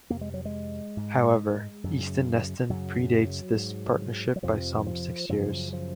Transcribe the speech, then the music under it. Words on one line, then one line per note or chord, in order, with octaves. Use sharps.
However, Easton Neston predates this partnership by some six years.
F2 C3 A#3
G#3
F#3
G#3
G#2
F#2 C#3
F#2 C#3 F#3
G#2
F#3
F2 C3 F3
D#3
F3
F#2 C#3 F3
F3